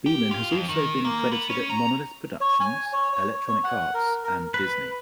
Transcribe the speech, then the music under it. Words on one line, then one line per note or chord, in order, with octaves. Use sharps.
Beeman has also been credited at Monolith Productions, Electronic Arts and Disney.
G4
F4
F2
D#3
A#3
B3
C#4
A#5
C#5
G#5
C#5
C#5
C#5
F#5
A#4
A#4
B4